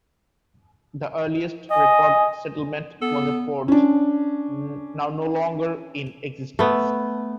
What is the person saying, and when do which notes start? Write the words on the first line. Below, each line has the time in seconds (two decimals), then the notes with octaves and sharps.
The earliest recorded settlement was a forge, now no longer in existence.
1.71 D#5 G#5
3.02 B3 A4
3.68 C#4 D4
6.59 A3 B3